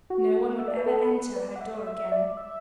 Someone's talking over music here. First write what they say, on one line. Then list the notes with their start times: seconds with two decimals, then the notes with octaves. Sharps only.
No one would ever enter her door again.
0.10 F#4
0.50 F#5
0.59 E5
0.68 D5
0.77 B4
0.86 A4
1.11 B4
1.36 D5
1.56 F#5
1.61 E5
1.87 E5
2.12 D5
2.37 E5